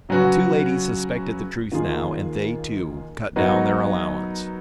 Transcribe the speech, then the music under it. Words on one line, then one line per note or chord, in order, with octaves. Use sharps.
The two ladies suspected the truth now and they, too, cut down their allowance.
C#3 F#3 C#4 F#4 B4
D#2 D#3 A#3 F4 G#4
F#3 B3 D#4 F#4 A#4